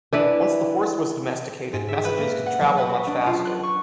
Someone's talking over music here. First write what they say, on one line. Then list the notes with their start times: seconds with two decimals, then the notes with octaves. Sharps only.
Once the horse was domesticated messages could travel much faster.
0.13 E3 D4 E4 B4
1.73 G#2
1.88 E5
2.05 B4
2.18 A#3
2.46 F#5
2.61 F#3
2.77 B4
2.89 F#4
3.07 D4
3.26 F4
3.45 F#6
3.63 C#6